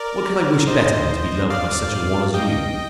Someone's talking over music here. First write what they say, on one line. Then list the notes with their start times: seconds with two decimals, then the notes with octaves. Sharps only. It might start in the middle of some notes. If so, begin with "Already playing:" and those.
What could I wish better than to be loved by such a one as you?
Already playing: A#4 D5
0.67 C5 D#5
1.50 D5 F5
2.34 D#5 G5